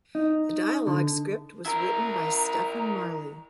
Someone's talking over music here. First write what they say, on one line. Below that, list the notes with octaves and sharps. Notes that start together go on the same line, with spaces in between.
The dialogue script was written by Stephen Marley.
D#4
D3
E4 A#4 A#5